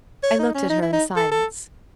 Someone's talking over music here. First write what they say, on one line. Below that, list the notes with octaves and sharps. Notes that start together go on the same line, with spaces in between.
I looked at her in silence.
C#5
D#4
C#4
D#4
E4
D#4
A4
A4